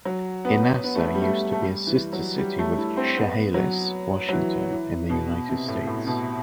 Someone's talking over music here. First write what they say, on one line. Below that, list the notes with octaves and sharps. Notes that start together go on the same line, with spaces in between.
Inasa used to be a sister city with Chehalis, Washington, in the United States.
F#3
B3
B3
A3
B3
G3
A3
A3
G3
E3
F#3
G3
A3
E4
C4
B3
F#3
F#3
E3
E3
B2
C3
A2
A2
B2